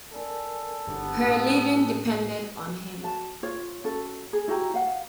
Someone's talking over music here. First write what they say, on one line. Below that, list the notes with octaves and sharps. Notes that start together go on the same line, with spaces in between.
Her living depended on him.
A4 A#4 D5 G#5
G1 B3 D4 G4
A2 D#6
F#4 A5
F4 C#5
C#4 F#4 A4
G#4
E4 F#4 G4 A#5
F5 F#5